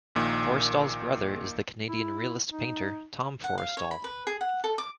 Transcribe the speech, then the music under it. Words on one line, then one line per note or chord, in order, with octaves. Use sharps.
Forrestall's brother is the Canadian realist painter, Tom Forrestall.
A#1 A#2 D#3
E4
D#4
F#5
F5
C#5
B5
B4
G#4
F#5
A4
D6